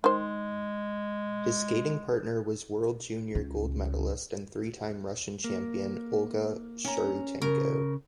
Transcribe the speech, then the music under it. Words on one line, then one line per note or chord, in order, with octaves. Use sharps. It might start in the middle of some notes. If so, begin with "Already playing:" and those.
His skating partner was World Junior Gold Medalist and three-time Russian champion Olga Sharutenko.
D#3 G#3 C5
C#2 C#3
A#3
C#4 A#5
C#3 A#4